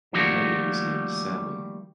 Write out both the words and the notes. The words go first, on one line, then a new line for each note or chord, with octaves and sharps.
Her mother was named Sally.
D#3 F3 G3 A3 A#3 F#4